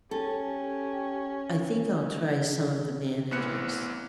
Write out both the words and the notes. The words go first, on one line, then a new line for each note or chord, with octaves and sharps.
"I think I'll try some of the managers."
C#4 G4 A4
A1 E3 B3 C4 F#6 C#7